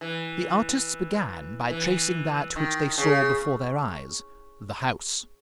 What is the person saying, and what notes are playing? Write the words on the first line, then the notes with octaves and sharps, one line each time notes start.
The artists began by tracing that which they saw before their eyes--the house.
E3
E3
D#3
C#3